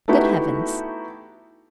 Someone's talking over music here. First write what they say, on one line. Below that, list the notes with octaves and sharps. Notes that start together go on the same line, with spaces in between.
Good heavens!
A3 B3 D#4 E4 F#4 G4